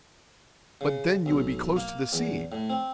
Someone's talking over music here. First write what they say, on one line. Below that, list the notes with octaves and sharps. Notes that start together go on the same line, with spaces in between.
"But then you would be close to the sea?"
C#3
B1
A#3
E2
A2
C4